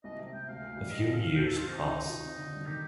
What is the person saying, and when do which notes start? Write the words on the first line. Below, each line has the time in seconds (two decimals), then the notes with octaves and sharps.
A few years pass.
0.04 C2 D#5
0.19 C3
0.33 C2 G5
0.48 D2 F5
0.62 D2
0.77 G3
0.92 G3 D#5
1.07 D#2
1.14 F5
1.21 D#3
1.29 F5
1.35 D#2 G5
1.47 D#3 A4
1.58 F4
1.65 C4 D#4
1.80 D#3
1.94 D#3
2.09 F4
2.23 F2
2.38 D3
2.52 G3
2.66 D#3 G4